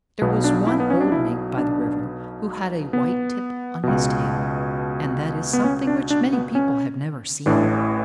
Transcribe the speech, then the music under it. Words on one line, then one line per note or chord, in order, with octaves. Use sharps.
There was one old Mink by the river who had a white tip on his tail, and that is something which many people have never seen.
B1 B2 B3
D4
E4
B3
C#4
D4
E4
D4
B3
C#2 B2
B3
C#4
D4
D4
B3
C#4
A1 A2 E3 D4